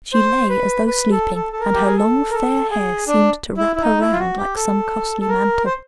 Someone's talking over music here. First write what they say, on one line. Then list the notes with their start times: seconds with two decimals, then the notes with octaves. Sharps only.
She lay as though sleeping, and her long, fair hair seemed to wrap her round like some costly mantle.
0.13 C5
0.49 B4
0.87 B4
1.12 A4
1.35 A4
1.53 A4
1.60 A#4
1.74 G4
1.85 G#4
1.97 A4
2.30 A#4
2.34 A4
2.71 G#4
3.08 D4
3.57 E4
3.76 E4
3.82 D#4
4.01 E4
4.12 F4
4.19 F#4
4.37 G4
4.56 A4
5.21 A4
5.29 A#4
5.66 C5